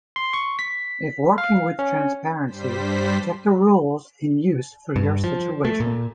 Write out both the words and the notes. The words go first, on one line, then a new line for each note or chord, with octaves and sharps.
If working with transparency, check the rules in use for your situation.
C6
C#6
B6
F5
C#4
G2 G3 C5 B6
G2
F3
A3
A#2